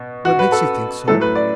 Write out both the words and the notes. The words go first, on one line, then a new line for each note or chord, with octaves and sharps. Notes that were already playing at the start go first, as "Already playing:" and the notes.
"What makes you think so?"
Already playing: B2
F#4
B4
A4
A2 F#3 A3 A4
B4
D5